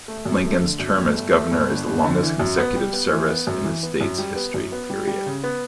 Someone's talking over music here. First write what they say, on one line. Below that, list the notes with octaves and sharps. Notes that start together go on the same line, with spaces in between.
Lincoln's term as governor is the longest consecutive service in the state's history.
A3
F#2
A3
D3
F#2
G1
A3
A3
G1
D3
G1
D3
E3
F#2
B3
G3
B3
E3
B3
F#2
E3
B3
F#2
G3
B3
F#2
B3
G3
G3
C#3
B3